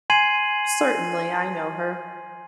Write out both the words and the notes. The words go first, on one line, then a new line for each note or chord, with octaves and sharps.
Certainly I know her.
G#5 C6 G#6 C7 D#7 F#7